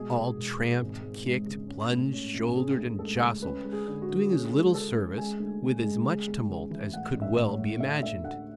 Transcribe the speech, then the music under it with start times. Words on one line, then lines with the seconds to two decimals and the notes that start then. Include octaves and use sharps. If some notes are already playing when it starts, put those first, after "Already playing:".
All tramped, kicked, plunged, shouldered, and jostled, doing as little service with as much tumult as could well be imagined.
Already playing: B2 G#3 G#4
0.15 B2
0.37 E1
0.58 B2
0.81 G#1
1.02 G#3
1.24 G#3
1.47 C#3
1.68 C#4
1.90 A2
2.12 C#4
2.34 A1
2.55 C#4 G#4
2.77 D2
2.99 G#3 A4
3.21 C#3
3.42 C#4 B4
3.64 G#3
3.72 G#4
3.87 D3
4.02 F#4
4.09 D3
4.30 C#4 G#4
4.53 G#3
4.74 C#3 A4
4.97 C#4
5.18 G#3 G#5
5.40 D2
5.62 C#3
5.84 G#3
6.06 C#3
6.27 E2
6.49 C#3
6.71 E3
6.93 A2 F#5
7.15 A1
7.22 E5
7.37 A2
7.51 C#5
7.58 A2
7.80 D2 E5
8.02 D2 E5
8.23 D2 F#5